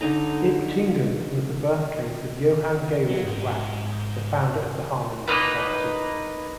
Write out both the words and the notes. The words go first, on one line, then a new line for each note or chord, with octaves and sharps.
Iptingen was the birthplace of Johann Georg Rapp, the founder of the Harmony Society.
D3 D#4 D#5 A#5
F#3
G#2
A#3 B3 D#4 B4